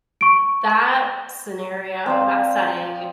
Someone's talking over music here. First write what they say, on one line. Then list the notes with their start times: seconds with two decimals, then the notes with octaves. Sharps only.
that scenario, that setting
0.21 C#6 D7
2.06 C4 D5 F5